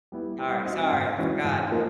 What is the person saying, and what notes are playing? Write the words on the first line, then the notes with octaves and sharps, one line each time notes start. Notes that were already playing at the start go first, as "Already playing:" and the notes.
Sorry, sorry, I forgot.
G3 B3 E4
G3
C4 D#4 F#4
G#2
E3 G#3 C#4 F#4
G#2
F3 A#3 D#4